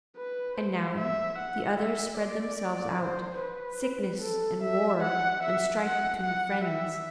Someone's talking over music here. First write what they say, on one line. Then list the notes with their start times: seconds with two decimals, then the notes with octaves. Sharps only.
And now the others spread themselves out--Sickness and War and Strife between friends.
0.16 B4
0.57 C5
0.97 E5
1.38 F#5
1.78 E5
2.18 D5
3.00 C5
3.41 B4
4.21 A4
4.62 E5
5.02 F#5
5.43 E5
5.84 F#5
6.23 F#5
6.64 E5